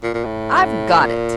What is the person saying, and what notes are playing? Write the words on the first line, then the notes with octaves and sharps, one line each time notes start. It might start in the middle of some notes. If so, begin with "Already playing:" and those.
I've got it.
A#2
A#2
A2
A#2